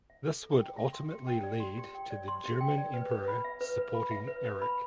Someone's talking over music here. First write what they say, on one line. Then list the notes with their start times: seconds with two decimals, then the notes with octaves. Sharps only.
This would ultimately lead to the German emperor supporting Eric.
0.10 E5
0.27 A4
0.43 A4
0.60 G5
0.77 E5
0.93 C6
1.10 G4
1.27 G5
1.43 D5
1.60 C6
1.78 G4
1.94 G5
2.11 D5
2.28 C6
2.44 G4
2.61 G5
2.78 D5
2.94 B4
3.11 B4
3.28 B5
3.44 E5
3.61 B4
3.78 B4
3.94 B5
4.11 E5
4.27 B4
4.45 B4
4.62 B5